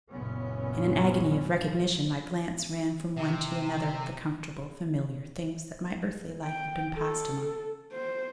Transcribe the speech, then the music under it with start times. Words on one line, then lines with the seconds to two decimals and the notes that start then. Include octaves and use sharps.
In an agony of recognition my glance ran from one to another of the comfortable, familiar things that my earthly life had been passed among.
0.11 F#1 A#2 B3 C#4
3.16 C3
6.44 G5
6.96 A4
7.92 C5